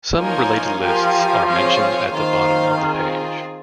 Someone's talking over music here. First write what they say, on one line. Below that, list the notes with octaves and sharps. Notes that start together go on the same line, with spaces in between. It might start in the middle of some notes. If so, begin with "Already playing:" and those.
Some related lists are mentioned at the bottom of the page.
F3 A#3 D#4 A#4 C#5 G#5
F3 G4 A#4 F5 G#5
C4 F4 G#4 C#5 F5
D#3 A#3 F4 C5 F5
C4 F4 G#4